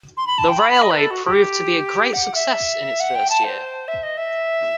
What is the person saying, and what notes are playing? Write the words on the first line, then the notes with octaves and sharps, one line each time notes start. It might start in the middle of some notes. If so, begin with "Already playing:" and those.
The railway proved to be a great success in its first year.
C6
B5
A5
G5
B5
B5
D#5
B4
A4
F#4
G4
F#5
E5
F#5
G5
A5
C5
E5
D#5
E5